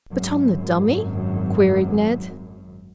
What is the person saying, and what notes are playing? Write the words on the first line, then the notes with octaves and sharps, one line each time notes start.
"But on the dummy!" queried Ned.
G#1 F#2